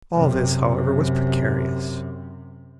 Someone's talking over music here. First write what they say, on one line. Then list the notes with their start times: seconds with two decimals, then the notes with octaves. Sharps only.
All this, however, was precarious.
0.14 F#2 C3